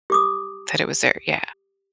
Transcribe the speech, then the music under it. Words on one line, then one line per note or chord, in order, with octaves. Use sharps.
That it was there. Yeah.
G4 D6 D#6